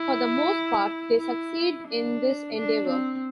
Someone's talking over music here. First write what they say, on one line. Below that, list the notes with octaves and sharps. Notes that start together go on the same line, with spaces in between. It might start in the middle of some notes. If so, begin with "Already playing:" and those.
For the most part they succeed in this endeavor.
Already playing: E4
E4
D4
D4
C4